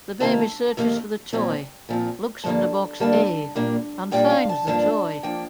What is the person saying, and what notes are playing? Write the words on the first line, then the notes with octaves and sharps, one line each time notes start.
The baby searches for the toy, looks under box "A", and finds the toy.
F2 C3 D#3 A#3 A5
F2 C3 D#3 A#3
A#2 F3 C4
A#2 F3 C4
G2 D3 G3 A#3 A5
G2 D3 G3 A#3 A5
A#2 G3 A#3 D4
A#2 G3 A#3 D4 G5
F5
A5
G2 F3 A#3 D4 A5
F3 A#3 D4 G5